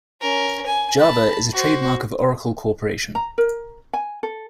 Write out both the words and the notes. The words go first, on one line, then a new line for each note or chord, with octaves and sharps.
"Java" is a trademark of Oracle Corporation.
C#4 A#4
G#5
A5 B5
F#4 C5
A#5
A#4
G#5
A4